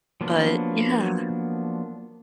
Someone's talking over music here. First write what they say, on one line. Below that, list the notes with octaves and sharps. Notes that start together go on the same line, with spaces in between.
but yeah.
F3 F#3 A#3 B3 D4